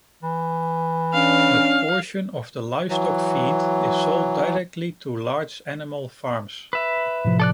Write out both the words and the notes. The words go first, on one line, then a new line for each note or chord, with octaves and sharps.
A portion of the livestock feed is sold directly to large animal farms.
E3
C#4 D4 F5
E3 F#3
B4 E5
A2 C3 F3
A4 D5 F#6